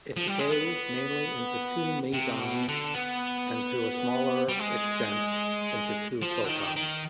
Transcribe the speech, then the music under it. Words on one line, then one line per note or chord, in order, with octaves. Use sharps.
It decays mainly into two mesons, and to a smaller extent into two photons.
F3
G3
G#3
B3
C3
B2
D3
B3
G3
G#3
F3
D3
D#3
D#3